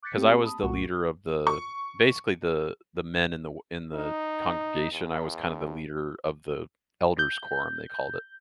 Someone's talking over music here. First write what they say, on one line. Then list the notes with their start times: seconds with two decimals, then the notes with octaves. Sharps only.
'cause I was the leader of the basically the the men in the w in the congregation, I was kind of the leader of the "elders quorum," they called it.
0.03 D6 F#6 G6 A6 B6 C#7
0.15 A3 A#3 C4 G4
0.43 A5 B5 D#6
0.63 C2 A#2 A3 F#4 F#5 C#6
1.47 C#6
3.95 D#4
4.92 E2
7.19 G6